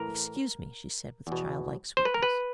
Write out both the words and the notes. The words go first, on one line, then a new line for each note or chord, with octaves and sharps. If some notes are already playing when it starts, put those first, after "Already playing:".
"Excuse me," she said, with childlike sweetness.
Already playing: A2 E3 A#4
E2 B2
C5
B4
A#4
B4